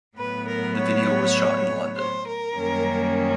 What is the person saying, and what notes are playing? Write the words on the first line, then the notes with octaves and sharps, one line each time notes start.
The video was shot in London.
A2 F#3 B3 B4
A#4
C#5
C5
A#4
F#2 D#3 G3 A#3 C#4